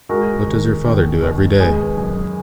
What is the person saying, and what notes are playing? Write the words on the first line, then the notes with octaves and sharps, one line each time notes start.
What does your father do every day?
G#3 F#4 A#4
D#2
D#3
D#2
G#3 G#4 B4
F#2